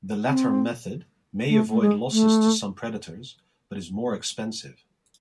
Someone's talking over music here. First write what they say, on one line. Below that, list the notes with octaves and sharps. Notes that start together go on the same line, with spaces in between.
The latter method may avoid losses to some predators, but is more expensive.
C4
A3
A3
G#3
A3